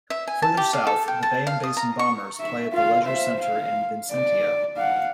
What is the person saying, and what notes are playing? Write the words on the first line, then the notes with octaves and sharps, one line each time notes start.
Further south, the Bay and Basin Bombers play at the Leisure Centre at Vincentia.
E5
G#5
A5
G4
F5
A4
G5
A5
F5
D#6
A#5
C#6
E5
F4 F5
C5 E5
F5
D5
F5 F#5